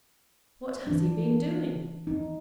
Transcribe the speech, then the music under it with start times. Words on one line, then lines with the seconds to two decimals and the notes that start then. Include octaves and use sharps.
What has he been doing?
0.87 E3 D4
2.07 D#4